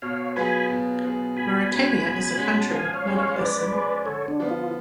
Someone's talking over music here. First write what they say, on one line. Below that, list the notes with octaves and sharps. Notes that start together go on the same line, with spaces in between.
Mauritania is a country, not a person.
B2 C#5 F5
F#3 B3 F4 G#4 G#5 B5
B2
F#3 B3 F4 G#4
B2 G#5 B5
G#3 C#4 F#4
B2
G#3 C#4 F#4
A5
F3 F5 G#5
C#5 F5
G#3 C#4 G#4
C#5 F5
F3 B4 D5
G#3 C#4 G#4
D3 A4 C#5
D4
F3 B3
F4